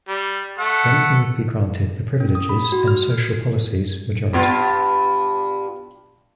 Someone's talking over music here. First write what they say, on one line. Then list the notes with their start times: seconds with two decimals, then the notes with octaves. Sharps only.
Then he would be granted the privileges and social policies majority.
0.08 G3
0.58 A3 F#5
2.20 C#4
2.35 D#6
2.49 B5
2.72 F#4
2.88 F6
4.33 G2 B3 F4